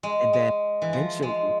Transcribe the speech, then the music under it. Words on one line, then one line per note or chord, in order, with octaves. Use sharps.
and then, eventually,
G#3
G#3
E3
F3
G#3